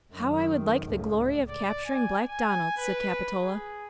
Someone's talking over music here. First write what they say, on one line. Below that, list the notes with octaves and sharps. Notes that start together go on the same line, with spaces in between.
"How I would like the glory of capturing Black Donald!" said Capitola.
F#2 D#3
C#2 A2
D5
G#5
G#5
B4
G#4